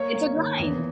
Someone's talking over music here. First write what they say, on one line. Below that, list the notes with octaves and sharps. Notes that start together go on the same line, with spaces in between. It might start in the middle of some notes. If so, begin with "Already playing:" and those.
It's a grind.
Already playing: A#3 C#5
A#3
D#3
E2